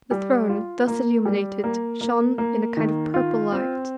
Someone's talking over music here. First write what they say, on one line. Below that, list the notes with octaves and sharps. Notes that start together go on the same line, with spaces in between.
The throne, thus illuminated, shone in a kind of purple light.
G3
F4
A#3
G3
A#3
A#3
A#3
D#3
F4
C4